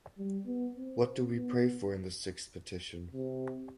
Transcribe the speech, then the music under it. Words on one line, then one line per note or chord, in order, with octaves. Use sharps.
What do we pray for in the sixth petition?
G3
B3
C4
B3
C3